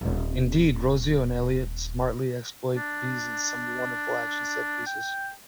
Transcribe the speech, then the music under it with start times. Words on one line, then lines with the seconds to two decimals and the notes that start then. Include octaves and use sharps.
Indeed, Rossio and Elliot smartly exploit these in some wonderful action set-pieces.
0.01 D#1 C4
2.75 D4
4.86 G5